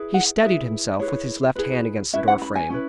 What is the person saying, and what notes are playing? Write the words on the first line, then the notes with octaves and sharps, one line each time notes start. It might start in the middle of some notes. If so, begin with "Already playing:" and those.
He steadied himself with his left hand against the door frame.
Already playing: E4 G#4 B4
F#5
E4 G#4 B4 E5
E4 G#4 B4 C#5
E4 G#4 B4
C#4 E4 B4 E5
F#5
B5
G#5
C#4 E4 B4